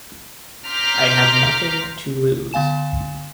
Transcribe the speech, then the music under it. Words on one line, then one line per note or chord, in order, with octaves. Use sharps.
I have nothing to lose.
A#5 C6 D6 F6 G6 B6
D3 B3 F5 G#5 E7